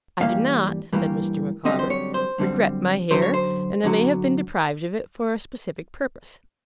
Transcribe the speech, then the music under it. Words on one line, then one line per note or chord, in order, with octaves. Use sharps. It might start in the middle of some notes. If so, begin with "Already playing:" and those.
I do not,' said Mr. Micawber, 'regret my hair, and I may have been deprived of it for a specific purpose.
G2 E3 G3 A#3 F5
G2 E3 G3 A#3
F#2 D3 G3 C4 D#5
C5
C#5
C5
F#2 D3 G3 C4
F#2 D3 F#3 C5
C#5
C5
F#2 D3 F#3